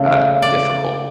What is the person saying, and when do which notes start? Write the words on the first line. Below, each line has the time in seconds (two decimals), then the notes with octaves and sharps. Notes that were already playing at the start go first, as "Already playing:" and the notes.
uh, difficult.
Already playing: C#3 A3
0.42 D5